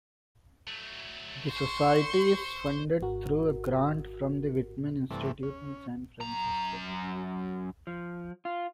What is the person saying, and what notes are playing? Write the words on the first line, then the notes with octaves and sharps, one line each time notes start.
The Society is funded through a grant from the Whitman Institute in San Francisco.
F#3 A3
C5 C6 C#6
G#1 G#2 F#4 A#4
G2 C3 E3 A3
C#4
F#2 A#5
F3
F4